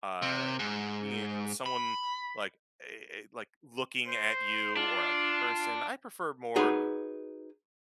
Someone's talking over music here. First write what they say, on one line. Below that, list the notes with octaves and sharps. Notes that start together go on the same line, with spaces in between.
uh, you know, someone, like, a a like, looking at you or, like, a person- I prefer more
C3
G#2
B5
C5
D4 F4
D#4 F#4 G#4 B4